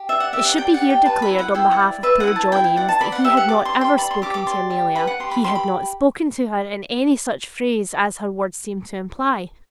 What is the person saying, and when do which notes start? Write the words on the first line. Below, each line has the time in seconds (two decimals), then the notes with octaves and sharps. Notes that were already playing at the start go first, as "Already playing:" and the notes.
It should be here declared on behalf of poor John Eames that he had not ever spoken to Amelia--he had not spoken to her in any such phrase as her words seemed to imply.
Already playing: G4
0.09 D5 E5
0.20 F#5
0.33 G4 E5
0.45 F#5
0.57 D5 G5
0.74 F#5
0.81 G4
0.90 G5
1.05 B4 A5
1.22 B5
1.30 E4
1.39 F#5
1.54 E4 G5
1.71 F#5
1.79 D5
2.03 B4 E5
2.20 F#5
2.27 E4
2.36 A5
2.52 E4 G5
2.64 G5
2.76 D5 F#5
2.89 A5
3.00 D5 B5
3.12 F#5
3.24 G4 E5
3.37 F#5
3.49 D5 D6
3.65 C6
3.73 G4
3.81 C6
3.98 D5 B5
4.11 C6
4.22 G4 D6
4.34 D6
4.46 D5 C6
4.70 G4
4.95 B4 B5
5.07 F#5
5.20 G4 C6
5.31 B5
5.44 G4 C6
5.55 B5